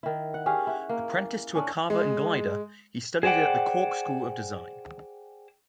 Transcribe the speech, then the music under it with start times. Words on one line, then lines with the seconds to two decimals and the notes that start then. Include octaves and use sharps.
Apprenticed to a carver and gilder, he studied at the Cork School of Design.
0.03 D#3 E4
0.34 F#5
0.46 C#4 G4 G#4 F5
0.67 E4 F#5
0.89 A#3
1.55 C#4 D4
1.90 G#3
3.23 G#4 C5 D5 F#5 G5